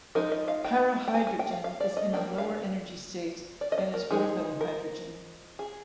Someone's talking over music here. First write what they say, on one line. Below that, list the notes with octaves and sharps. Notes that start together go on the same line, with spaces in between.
Parahydrogen is in a lower energy state than is orthohydrogen.
F3 G#3 D#4 A#4
D#5
F5
G5
G5
G#5
G#5
G5
F5
F5
D5
D#5
G3 A#3 D4 G5
F5
D5
D#5
D5
A#4
F3 G#3 D#4 G#4
A#4
G#4